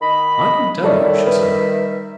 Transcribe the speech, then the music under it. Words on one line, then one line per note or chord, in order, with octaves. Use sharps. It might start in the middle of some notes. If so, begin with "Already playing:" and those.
"I can tell you," she said.
D#3 D#5 B5
D#3 G3 A4 C#5 D5 E5
B4